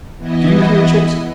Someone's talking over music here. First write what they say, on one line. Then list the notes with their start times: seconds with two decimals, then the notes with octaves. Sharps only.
Do you hear, chicks?
0.18 E3 B3 E4 D#5